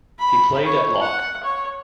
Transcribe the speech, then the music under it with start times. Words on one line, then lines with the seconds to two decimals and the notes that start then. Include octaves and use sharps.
He played at Lock.
0.19 B5
0.66 C#5
1.02 F#5
1.44 C#5